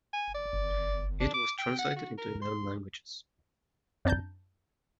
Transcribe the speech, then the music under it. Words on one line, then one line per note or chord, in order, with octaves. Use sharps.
It was translated into eleven languages.
G#5
D5
D4
D6
G5
F#5
F#4
A#4
C6
F#2 C4 D4 A5 A#5 G6